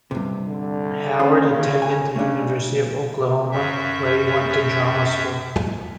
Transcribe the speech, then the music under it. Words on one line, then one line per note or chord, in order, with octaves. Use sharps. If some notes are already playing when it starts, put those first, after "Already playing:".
Howard attended the University of Oklahoma, where he went to drama school.
G2 C3
D3
D#2 C#4 C5
C#3
G#5
C#3 A3 D4
F#2 E5